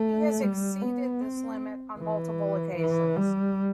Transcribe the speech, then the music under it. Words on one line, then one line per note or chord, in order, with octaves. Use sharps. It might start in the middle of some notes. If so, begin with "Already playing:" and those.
He has exceeded this limit on multiple occasions.
Already playing: A3
G3
B3
C4
E3
E3
G3